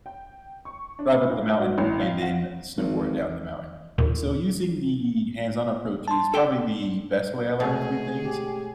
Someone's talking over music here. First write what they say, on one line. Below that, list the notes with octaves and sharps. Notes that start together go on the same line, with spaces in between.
drive up the mountain, and then snowboard down the mountain. So, using the hands-on approach is probably the best way I learn a few things,
G5
C#6
D4
B4
A#2
F#4
A1
F5
F#5
G#1
D#2 A#2
A5 C6
A4 G5
B2 G#3 A3 G#4 C#5
G4